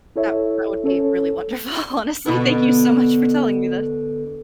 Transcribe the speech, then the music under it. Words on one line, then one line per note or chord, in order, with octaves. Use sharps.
That that would be really wonderful. Honestly, thank you so much for telling me this.
E4 A4 C#5 E5
C#4 A4 C#5
B2 D3 B3